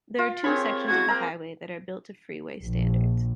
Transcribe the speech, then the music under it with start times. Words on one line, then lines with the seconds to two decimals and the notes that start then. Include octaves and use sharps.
There are two sections of the highway that are built to freeway standards.
0.18 F4
0.44 C4 G4 G#4 A#4 C#5 B5
0.88 E2 F#4 G#6
1.08 A#3 C4 A#4 A#5
2.63 A#1